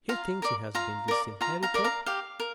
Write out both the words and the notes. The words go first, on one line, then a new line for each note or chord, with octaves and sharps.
"He thinks he has been disinherited?"
F4 F5 A#5
A#4 D5
F4 F5 A#5
A#4 D5
F4 F5 A#5
F5 A#5
A#4 D5
F5 A#5
G4 F5
A#4